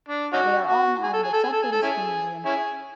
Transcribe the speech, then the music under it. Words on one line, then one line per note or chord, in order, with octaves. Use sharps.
They are all now in the Czartoryski Museum.
D4
C#4 D#4 F#4
F#4
G#4
A4
G#4
A4
G#4
A4
G#4
A4
C#4 E4 G#4
C#4 E4 G#4